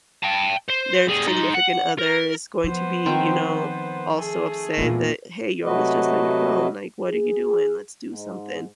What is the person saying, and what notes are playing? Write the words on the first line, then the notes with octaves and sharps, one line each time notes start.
their significant other is going to be, you know, also upset that, "Hey, you're always just on your phone," like, "What are you doing? Let's do something."
G5 A5
C5
G3 G#4
D#4 C6
F#5
A#4
F3 B3 C5
D#3 C4 G5
A3 G#4
E2 A#2 G#3 C4
C3 F#3 A3 F#4 B4 D#5
G#4
G#2